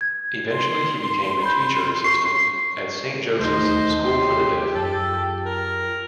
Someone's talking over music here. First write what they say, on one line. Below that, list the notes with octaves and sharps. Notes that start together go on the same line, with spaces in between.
Eventually, he became a Teacher Assistant at Saint Joseph's School for the Deaf.
G#6
C6
B5 G6
C#6 C7
E1 D#2 A3 D#4 C5
F4 G4 G#4 C#5 C6
F#2 A4
A#4